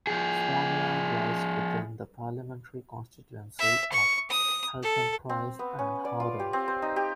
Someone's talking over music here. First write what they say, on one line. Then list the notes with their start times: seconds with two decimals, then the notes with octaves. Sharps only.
Swanland lies within the Parliamentary constituency of Haltemprice and Howden.
0.07 F3 G#4
3.59 E5
3.92 C#6
4.31 D#6
4.83 A4
5.29 C4
5.59 B3
5.79 C#4
6.05 D5
6.20 F4
6.40 G4
6.53 C4
6.68 C5
6.82 D#4
6.96 G4